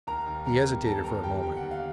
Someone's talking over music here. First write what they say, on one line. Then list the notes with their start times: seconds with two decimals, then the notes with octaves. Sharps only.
He hesitated for a moment.
0.07 D#2 A#4 A#5
0.26 D#2
0.46 G3 A#4 A#5
0.65 B3
0.85 G3 A4 A5
1.04 D3 A#4 A#5
1.23 D3 G4 G5
1.43 D3 G5
1.57 F#5
1.63 D#2
1.71 F5